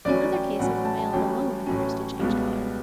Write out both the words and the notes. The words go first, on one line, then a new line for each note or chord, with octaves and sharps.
In other cases the male alone appears to change colour.
A1 A2 F#3 C#4 D5
G5
A1 A2 F#3 C#4 F#5
A5
A5
A1 A2 F#3 C#4 G5
A1 A2 F#3 C#4
C#2 B2 G3 B3